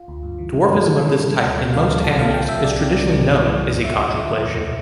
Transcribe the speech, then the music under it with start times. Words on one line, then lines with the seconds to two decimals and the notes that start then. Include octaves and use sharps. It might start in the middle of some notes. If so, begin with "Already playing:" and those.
Dwarfism of this type in most animals is traditionally known as achondroplasia.
Already playing: F4
0.08 D2
0.23 G2
0.38 E3
0.53 G3
0.68 G2
0.84 A2 A4
0.98 E3
1.14 G3
1.28 A2
1.44 D2 A4
1.59 C3
1.73 G3 F5
1.89 D2
2.04 C2 A5
2.19 C3 F5
2.33 F3 G5
2.49 C2 E5
2.64 C2 D5
2.79 C3
2.94 G3
3.09 C2
3.25 G2
3.40 E3
3.55 G3
3.70 G2
3.84 D2 E5
3.99 D3
4.14 F3
4.30 D2
4.45 E2
4.59 B2